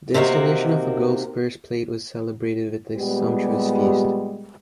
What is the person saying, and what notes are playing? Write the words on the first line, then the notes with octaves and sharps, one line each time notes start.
The installation of a girl's first plate was celebrated with a sumptuous feast.
C3 D#3 A#3 F#4
A#2 G3 G#3 B3 G4